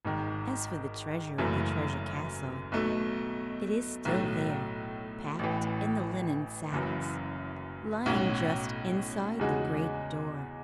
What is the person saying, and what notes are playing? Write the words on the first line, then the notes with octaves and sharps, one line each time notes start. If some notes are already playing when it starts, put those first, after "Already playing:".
As for the treasure of the treasure castle, it is still there, packed in the linen sacks, lying just inside the great door.
G#1 G#2 D#3
F#1 F#2 E3 A3
B1 B2 A3
B1 A2 F#3 A3
A1 A2 E3
F#1 F#2 E3
B1 A2 F#3 C#4 F#4
E2 C#3 G#3 D#4 F#4